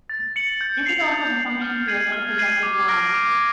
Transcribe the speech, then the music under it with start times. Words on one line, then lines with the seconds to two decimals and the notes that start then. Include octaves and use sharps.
This is also the function field of the projective line.
0.09 A6
0.36 C#7 F#7
0.61 G6
0.86 C7 F7
1.12 G6
1.36 C7 F7
1.61 F6
1.88 G#6 C7 D#7 F#7
2.12 F6
2.38 G#6 C7 D#7 F#7
2.63 D6
2.88 F6 A#6 D7
3.14 D6